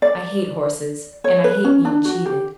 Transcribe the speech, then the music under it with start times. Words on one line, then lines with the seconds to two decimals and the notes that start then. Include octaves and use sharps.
"I hate horses, and I hate being cheated."
0.02 D5
1.24 C#5
1.44 B4
1.64 C#4
1.85 D4
2.05 F#4
2.26 G4